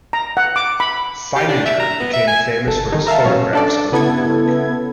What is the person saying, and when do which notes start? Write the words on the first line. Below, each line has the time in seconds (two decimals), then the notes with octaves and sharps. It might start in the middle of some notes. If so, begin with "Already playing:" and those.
Feininger became famous for his photographs of New York.
0.13 A#5
0.37 F#5
0.56 D6
0.80 B5
1.36 G4
1.48 D4
1.65 E5
1.79 A#5
2.00 B3
2.13 E5
2.27 G#5
2.67 G1 A4
2.92 D#3 D#4
3.07 A#4 E5 F5 A5
3.25 A#2 F#3 C#4
3.53 D4 A4 D5
3.92 C#3 B3 E4 A4 G#6